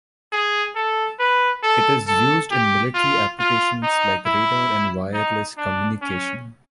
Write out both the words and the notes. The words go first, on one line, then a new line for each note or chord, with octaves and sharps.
It is used in military applications like radar and wireless communication.
G#4
A4
B4
A4
A4
G4
F4
F4
D#4
E4
D#4
D4
C#4